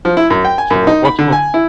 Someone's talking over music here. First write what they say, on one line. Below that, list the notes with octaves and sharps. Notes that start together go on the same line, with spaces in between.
So w what's co
F3
E4
F#2
G5
G#5
F#2
D#4
B5
D3
G#5
E4